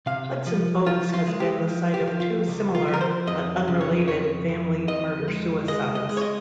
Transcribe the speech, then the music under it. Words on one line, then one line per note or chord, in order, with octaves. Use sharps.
Hudson Oaks has been the site of two similar but unrelated family murder-suicides.
C3 F5
F3
F3 F4
F4
G#3
G4
F3
G4
F3
F4
C#2
F4
F3
A#4
C5
F2 D#5
C#3
C#5
F2 C#5
F2
F2 D#5
G#3
G#3 D#5
D#5
G#3
C#5
D#5